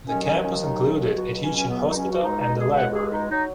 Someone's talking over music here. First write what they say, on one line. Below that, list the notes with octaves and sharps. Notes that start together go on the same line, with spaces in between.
The campus included a teaching hospital and a library.
D#2 D#3 F#3 C#4
C#4
C#4
D#4
C#2 B2 F#3 F#4
C#4
C#4
B3
D#4
C#4
F#4
C#2 B2 G#3 D#4
D#4
G#4
F#5
G#4
D#4
F#3 D#4